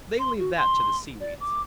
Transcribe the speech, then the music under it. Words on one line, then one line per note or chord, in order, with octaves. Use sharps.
They leave that to the seaweeds.
C6
F#4
C6
D5
D6